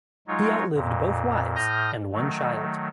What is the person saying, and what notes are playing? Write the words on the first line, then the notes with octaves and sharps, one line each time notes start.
He outlived both wives and one child.
F#3 G#3 D#4 F4 C#5
F2 A#2
A2 D#6 F6 G6 A#6
D#3 F#3 A3